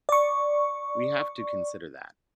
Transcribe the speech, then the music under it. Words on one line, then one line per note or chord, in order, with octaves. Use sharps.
We have to consider that.
D5 C#6